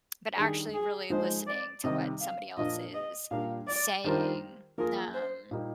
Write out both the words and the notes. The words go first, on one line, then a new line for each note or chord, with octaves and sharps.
but actually really listening to what somebody else is saying, um
D#3 G3 D4 G#4
G#4
F3 G#3 D#4 C5
D5
C3 D#3 G3 D#5
F5
A#2 F3 A#3 D4 D#5
D#5
A#2 G3 D4 G4 A#4 F5
D5
D#3 G3 D4 F4 A#4 C5
F3 A#3 F4 G#4 A#4
C5
A#2 G3 A#3 D#4 G4